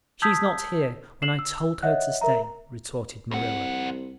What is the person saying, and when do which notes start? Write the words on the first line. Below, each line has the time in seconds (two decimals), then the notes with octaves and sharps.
"She's not here when I told her to stay," retorted Marilla.
0.22 A5 D#6 E6 G6 G#6 B6
1.22 C7 E7 F#7
1.39 E6
1.83 C#5 D#5 E5 F#5 F#6
2.21 A#4 E5 A#5
3.31 C2 F2 F#5